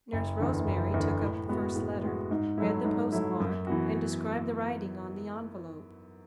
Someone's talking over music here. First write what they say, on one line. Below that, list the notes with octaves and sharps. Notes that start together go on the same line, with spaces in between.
Nurse Rosemary took up the first letter, read the postmark, and described the writing on the envelope.
F#1
E2 D3
F#1
E2 D3
A2
G#3 B3 F#4
A2
G#3 B3 F#4
G#2
F#3 A3 E4
G#2
F#3 A3 E4
F#2
E3 B3 F#4